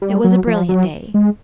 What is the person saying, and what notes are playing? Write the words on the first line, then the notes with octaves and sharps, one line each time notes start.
It was a brilliant day.
G3
F#3
F3
F#3
G#3